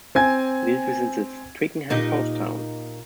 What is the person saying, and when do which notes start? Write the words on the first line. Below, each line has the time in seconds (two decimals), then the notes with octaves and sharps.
It is within the Twickenham post town.
0.15 C4 G#5 G#6
1.90 A#2 D#4 G4